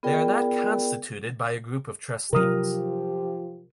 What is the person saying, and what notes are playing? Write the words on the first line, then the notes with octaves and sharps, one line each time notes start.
They are not constituted by a group of trustees.
B3 F4 G#4 A#4 D5 G5
C3 F3 F#3 F4 G4 A#4 D#6